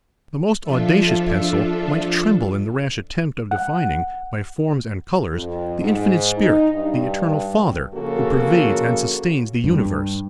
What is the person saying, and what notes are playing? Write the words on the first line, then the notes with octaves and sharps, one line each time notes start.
The most audacious pencil might tremble in the rash attempt of defining, by forms and colors, the infinite Spirit, the eternal Father, who pervades and sustains the universe.
F3 D4 F4 A4 E5
F#5
F2
G#2
D#4
G2
C#3 F3 A#3 F#4 A4
G2